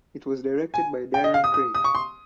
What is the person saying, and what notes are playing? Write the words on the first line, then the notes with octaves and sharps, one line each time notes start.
It was directed by Darren Craig.
G#5
G5
D#5
F5
D#6
D#6
D#6
C#6
C6